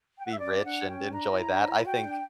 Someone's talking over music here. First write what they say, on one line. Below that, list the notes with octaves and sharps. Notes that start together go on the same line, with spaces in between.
be rich and enjoy that. I think
G5
F#5
E5
C#4 D5
E4
D4 F#5
C#4 G5
D4 A#5
E4
D4
E4
F#4 G5
D4